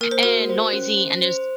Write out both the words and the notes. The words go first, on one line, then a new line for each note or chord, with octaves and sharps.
and noisy, and there's
A#3 A#4
C5
F#4 A#4
C5
C#4
C5
C5